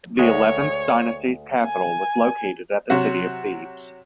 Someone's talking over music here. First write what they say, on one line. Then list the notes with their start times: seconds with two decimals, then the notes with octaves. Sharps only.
The Eleventh Dynasty's capital was located at the city of Thebes.
0.19 D2 G#3 C#5
1.65 G#5
2.90 C3 F#3 F#4